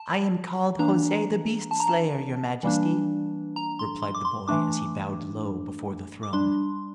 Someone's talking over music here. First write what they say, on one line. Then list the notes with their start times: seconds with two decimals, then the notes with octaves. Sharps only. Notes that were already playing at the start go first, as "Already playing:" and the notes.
"I am called Jose the Beast Slayer, your majesty," replied the boy as he bowed low before the throne.
Already playing: A5
0.79 E3 A#3 D4 A#5
1.71 A5
1.80 A#5
1.89 A5
2.63 E3 G3 A#3 D4
3.56 A#5
3.79 C6
4.02 C6
4.15 D6
4.25 C6
4.48 E3 A3 D4 D6
6.23 D6
6.33 G3 D4 C6